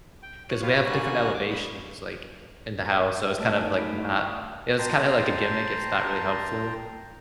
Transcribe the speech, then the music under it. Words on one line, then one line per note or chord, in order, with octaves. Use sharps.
'cause we have different elevations, like, in the house, so it's kind of like not it's kinda like a gimmick, it's not really helpful,
G5
C#5 F#6
F4 G4 B4 C#5 F5
D3 G3 A#3 F#4 G#5 F#6
D6
G2 B5 D#6
A#4 E5
A3 C#5 D#5 A5 E6 D7
D#4 A4 G#5 A5
A3 D#4 B5 B6 D7
E4 C#6
D5 G5 D#6 F6
G5 A5 A#5 C6